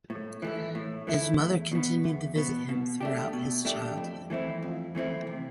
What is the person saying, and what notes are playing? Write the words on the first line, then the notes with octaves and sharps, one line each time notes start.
His mother continued to visit him throughout his childhood.
A2
E3 A3 E4
A2
E3 A3 E4
E2
B2 B3
E2
B2 B3
B2
A3 D4 G4
B2
A3 D4 G4
F2
E3 A3 C4 E4
F2
E3 A3 C4 E4
C3